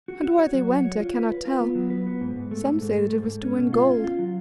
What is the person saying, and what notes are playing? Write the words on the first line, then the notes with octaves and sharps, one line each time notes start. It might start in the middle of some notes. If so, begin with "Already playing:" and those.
And why they went I cannot tell: some say that it was to win gold.
F#4
F#4
C#5
F#3
F#4
C#5
F4
B4
B4
F4
B3
F#3
B4
B3
G#2
G#2
A3
G#2
G#2
A3
G#2
G#2
C#4
B2
F4
C#4
F4
F#3